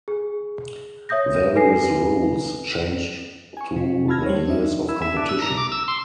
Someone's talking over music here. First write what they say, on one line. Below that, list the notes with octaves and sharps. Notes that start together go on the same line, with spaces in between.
Various rules changed through the years of competition.
G#4
C#5 E5 D#6 G6 A#6
A4 B4 G#5 A#6 C7
G#5 C#6
C3
A5 B5 E6 F6 G#6 A#6
G3 C5 C#5
D4 D#4 E5
E4
E5
D4
E6
A#5
D6
E6
C6